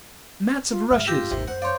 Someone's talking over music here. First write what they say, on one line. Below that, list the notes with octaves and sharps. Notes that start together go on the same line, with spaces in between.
Mats of rushes.
F4
G#2 A3 E5 F6
F4 G4 E6 G6 A#6
G#1 D#2 C3
F#2 C5 F#5
C#5 D5 F5 C6 G6